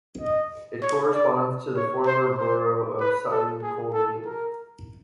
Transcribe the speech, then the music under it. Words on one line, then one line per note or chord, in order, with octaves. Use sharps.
It corresponds to the former borough of Sutton Coldfield.
D#5
C#5
D5
C#5
C5
C5
B4
A4
G#4
A4
A#4